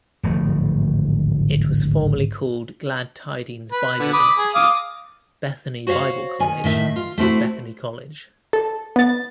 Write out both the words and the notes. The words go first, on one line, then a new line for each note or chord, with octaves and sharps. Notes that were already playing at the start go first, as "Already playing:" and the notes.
It was formerly called Glad Tidings Bible Institute, Bethany Bible College and Bethany College.
D1 G#1 F3 A3
B4
D3 B3
B5 D6 D#6
G#4
F5 D6 D#6
F#4 C5 C#5 E5 F5
D#3 G#5
A2 D#3 E5
F4
A3 C4 E4 F#4
A4
B3 A6